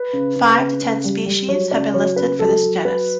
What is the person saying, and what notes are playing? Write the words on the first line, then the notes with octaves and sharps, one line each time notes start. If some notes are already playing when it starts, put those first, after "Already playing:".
Five to ten species have been listed for this genus.
Already playing: B4
C#3
C#3
C#3
C#3
G3
G3
F#3 C#5
C#3 D5
F#3 C#5
C#3 B4
F#3 A4
F#3
F#3 B4